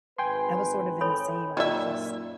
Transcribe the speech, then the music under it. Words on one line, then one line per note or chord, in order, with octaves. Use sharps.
I was sort of in the same, I was just
G#1 B4 G5 G#5 C6
A4 C#5 B5
F#2 A#2 D#3 D#4 F4 D5 E5